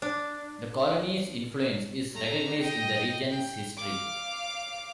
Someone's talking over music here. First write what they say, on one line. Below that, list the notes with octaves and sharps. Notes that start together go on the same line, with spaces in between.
The Colony's influence is recognized in the region's history.
D4
A3 A#5
D#5 G5
G5
F5 D6